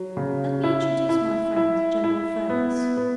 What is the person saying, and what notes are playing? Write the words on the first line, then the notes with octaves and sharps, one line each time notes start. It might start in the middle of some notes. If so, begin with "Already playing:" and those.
Let me introduce my friend, General Fergus.
Already playing: F#3
C#3
E4
E4
E4
E4
B3
B3